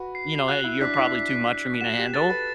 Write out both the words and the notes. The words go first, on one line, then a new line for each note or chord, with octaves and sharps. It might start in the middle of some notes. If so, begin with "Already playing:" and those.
you know, "Hey, you're probably too much for me to handle,"
Already playing: F#4 B4
C7
F#4 F#6
E4
D4 B6
E4
B6
B6
F#4 E7
G4
A4 A6
B4